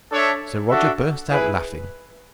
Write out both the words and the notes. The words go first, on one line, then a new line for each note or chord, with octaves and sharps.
So Roger burst out laughing.
D4 A4 C#5 E5
D4 F#4 A4 E5
E4 G#4 B4